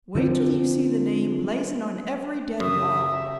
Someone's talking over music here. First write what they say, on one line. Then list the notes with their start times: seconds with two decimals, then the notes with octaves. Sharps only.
Wait till you see the name blazoned on every dead wall.
0.15 D3 F3 B3 C4
2.60 F#2 C#3 F#4 G4 E5 D#6